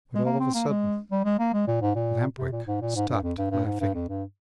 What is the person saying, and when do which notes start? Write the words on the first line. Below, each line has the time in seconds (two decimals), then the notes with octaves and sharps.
But all of a sudden Lamp-Wick stopped laughing.
0.15 G#3
0.25 A#3
0.40 C4
0.54 A#3
0.69 G#3
1.11 G3
1.24 G#3
1.39 A#3
1.53 G#3
1.67 A#2
1.81 G#2
1.95 A#2
2.38 C3
2.52 A#2
2.67 G#2
2.81 A#2
2.95 G#2
3.08 G2
3.23 F2
3.38 G2
3.51 G2
3.65 G#2
3.80 G2
3.94 F2
4.09 G2